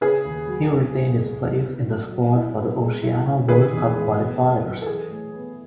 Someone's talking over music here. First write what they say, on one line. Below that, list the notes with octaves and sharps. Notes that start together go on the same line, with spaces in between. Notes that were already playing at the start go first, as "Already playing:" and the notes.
He retained his place in the squad for the Oceania World Cup qualifiers.
C#3 G#4 B4
D#2
F#3
B2
C#2
G#3
C#3
B3
F#3
F#3
E4
B3
G#3
E4
C#4
D#3 G#4 B4
E2
G#3
B2
B3
F#3
A4
E3 G#4
A2
B3